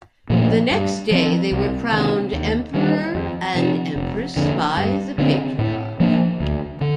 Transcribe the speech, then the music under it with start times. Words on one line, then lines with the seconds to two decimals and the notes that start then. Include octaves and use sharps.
The next day, they were crowned Emperor and Empress by the patriarch.
0.30 A#2 F3 A3
0.71 G2
1.11 F3 C4
1.51 C2
1.92 C3 D#3
2.33 D#2
2.74 D#3 G3
3.15 F2
3.55 C3 F3
3.96 F1
4.36 F2 D3
4.77 G2
5.18 D3 F3 C4
5.59 A2
6.00 F3 A#3 D4
6.40 D2
6.81 D3